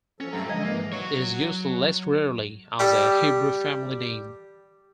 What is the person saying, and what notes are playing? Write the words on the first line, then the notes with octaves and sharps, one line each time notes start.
It is used less rarely as a Hebrew family name.
F3 C#4 A4
C2 G2 F#3 A3 A4 A#5
D3 F3 G#3 D#5 G#6
G#2 E3 A#3
F#3 C#5
G3 G4 A4